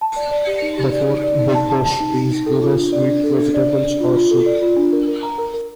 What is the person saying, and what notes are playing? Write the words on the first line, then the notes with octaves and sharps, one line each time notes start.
The fourth "big dish" is either sweet vegetables or soup.
A5
D5
D5
G4
D#4
G4
D5
D#4
D5
D#4
A5
A5
A5
D#4
D#4
D#4
A4
F4
D4
D5
D4
A4
D4
D5
D5
D4
F4
F4
A4
D5
F4
D4
A#4
A#4
A#5
A#4
A#4